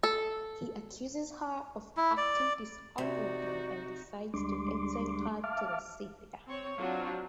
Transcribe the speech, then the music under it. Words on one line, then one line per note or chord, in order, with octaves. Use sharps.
He accuses her of acting dishonorably and decides to exile her to the Scythia.
A4
E4
D5
C3 D#4 F#4 D5
D2 G3 G#3 D4 C6 D6
E5 F5 A5 D6 F6
C4 C#5
F#3 C4 D4 F4